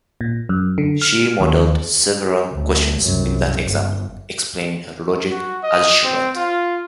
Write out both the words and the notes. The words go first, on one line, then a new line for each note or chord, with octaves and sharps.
She modeled several questions with that example, explaining her logic as she went.
A#2
F#2
D3
F6
D#2
D2
C2 F#2
G1
F#4
D#5
C4
F4